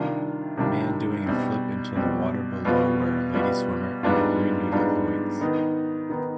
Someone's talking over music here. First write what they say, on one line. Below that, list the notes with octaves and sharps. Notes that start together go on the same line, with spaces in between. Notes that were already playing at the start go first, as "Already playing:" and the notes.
Man doing a flip into the water below where a lady swimmer on a green noodle awaits.
Already playing: C3 D#3 G3 D4 F4
C3 D#3 G3 D4 F4
B2 G3 C4
B2 G3 C4
B2 G3 B3 F4
B2 G3 B3 F4
G#2 G3 B3 D4 F4
G#2 G3 B3 D4 F4
D#3 B3 D#4
D#3 B3 D#4